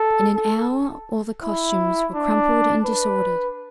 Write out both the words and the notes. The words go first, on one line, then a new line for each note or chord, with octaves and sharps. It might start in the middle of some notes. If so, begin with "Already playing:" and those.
In an hour, all the costumes were crumpled and disordered.
Already playing: A4
A4
E4
D4
B4